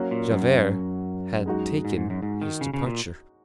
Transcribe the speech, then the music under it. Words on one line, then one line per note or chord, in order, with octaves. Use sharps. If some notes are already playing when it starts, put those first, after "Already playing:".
Javert had taken his departure.
Already playing: F#3 A#3 C#4 F#4
A#2
F#2
G#3 D#4 F#4
G#2
G#2
F#2
G#2
D#3
C#3
C#3
A#2